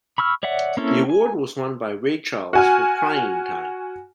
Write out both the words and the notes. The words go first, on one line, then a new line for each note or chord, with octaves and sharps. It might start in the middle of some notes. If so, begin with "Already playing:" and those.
The award was won by Ray Charles for "Crying Time".
B5 C#6 E6 F6
C#5 D5 E5 F#5
A#3 C4 C#4 E4 A4
G#5
F#4 G#5 F6